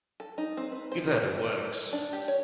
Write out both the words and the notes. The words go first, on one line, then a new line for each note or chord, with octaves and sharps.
Give her the works.
A4
D#4
C4
B4
C5
B4
A4
B4
D4
G4
C#5